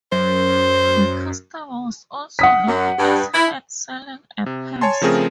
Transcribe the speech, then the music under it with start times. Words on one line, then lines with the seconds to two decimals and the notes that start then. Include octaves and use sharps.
The custom was also known as "handseling a purse".
0.12 F#2 C5
2.39 F#5 D#6 B6
2.68 F#2
2.99 G2
3.34 E4
4.46 C3
4.81 C#5 G#5 A5 C6
5.02 C#3 F3 A3 C4 G#4 A#4